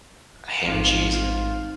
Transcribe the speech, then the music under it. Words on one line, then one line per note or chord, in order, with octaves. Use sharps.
A ham and cheese
A1 G#2 C4 D#4 F4 C5